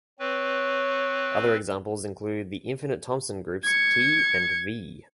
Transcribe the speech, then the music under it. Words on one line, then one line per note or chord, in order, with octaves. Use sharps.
Other examples include the infinite Thompson groups "T" and "V".
C4 B4 C#5
G#6 C#7